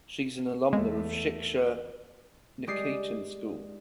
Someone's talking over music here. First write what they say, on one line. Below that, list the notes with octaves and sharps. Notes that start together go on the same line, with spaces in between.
She is an alumna of Shiksha Niketan school.
E2 G#3 A3
G#3 G4 D5 D#6 C7